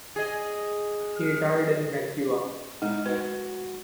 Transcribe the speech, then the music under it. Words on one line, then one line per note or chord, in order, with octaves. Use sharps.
He died in Mantua.
G#4 D#5
G#3 D#4
F#4 B4